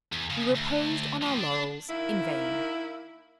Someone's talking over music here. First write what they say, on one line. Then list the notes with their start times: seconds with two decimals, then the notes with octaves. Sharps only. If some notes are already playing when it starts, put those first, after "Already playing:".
We reposed on our laurels--in vain.
0.12 E2
0.30 C#3 F3
0.55 D2
1.22 A2 F3
1.38 D4
1.89 D#3 A#3 E4